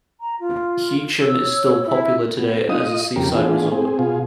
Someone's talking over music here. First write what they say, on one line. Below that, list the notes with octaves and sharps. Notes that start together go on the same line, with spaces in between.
Heacham is still popular today as a seaside resort.
A#5
F4
C#5 E6
E4
B3
F4 D#5 D#6
F2 C#3 G4 A#4
E3 B3 D4 F4 G#4
C4 G#4
B2 F4 G#4